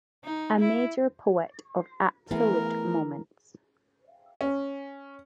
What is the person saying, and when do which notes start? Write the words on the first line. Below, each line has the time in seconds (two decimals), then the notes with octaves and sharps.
A major poet of absolute moments.
0.24 D#4
0.61 E4
2.31 E3 A3 B3 G#4 A#4
4.41 C#4